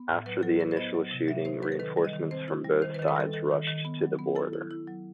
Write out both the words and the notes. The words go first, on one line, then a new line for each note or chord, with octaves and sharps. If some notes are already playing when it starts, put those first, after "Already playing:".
After the initial shooting, reinforcements from both sides rushed to the border.
Already playing: B3
A2
F#3 B4
F#3 A4
E4 B4
C5
B3 D#5
F#3
C3
F#3 E5
D#4 C5
F#3 B4
A4
D#3 B4
G3
D#5
D#3
C4 C5
E4
G3
D#3 C5
B4
D#3 A4
B4
G3 A4
D#3 A4
D#3
D#3
B3
F#3
B3
E4 A4
E4
E4
F#3